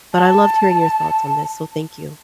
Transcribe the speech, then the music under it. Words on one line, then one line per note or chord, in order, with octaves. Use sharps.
But I loved hearing your thoughts on this, so thank you.
A5